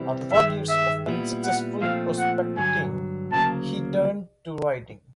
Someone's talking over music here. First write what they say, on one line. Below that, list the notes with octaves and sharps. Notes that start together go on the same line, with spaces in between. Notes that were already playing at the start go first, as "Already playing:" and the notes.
After five years of unsuccessful prospecting, he turned to writing.
Already playing: C3 E3 G3 C4 E4
G2 D#3 G#3 E5
E5
A#2 G3 B3 E4
F#5
A#2 F3 A3 C4 F5
F#5
G2 D3 F#3 G#5
D2 C#3 F#3 A#3 A5